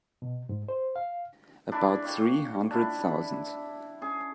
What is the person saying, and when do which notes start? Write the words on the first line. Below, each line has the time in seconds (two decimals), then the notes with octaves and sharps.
About three hundred thousand.
0.22 B2
0.49 G#2
0.69 C5
0.96 F5
1.72 D4 E4 D5 G#5
2.04 C#5 F5 G5
2.19 C#5
2.70 D4 E4
3.01 B5
4.01 C#4 G#4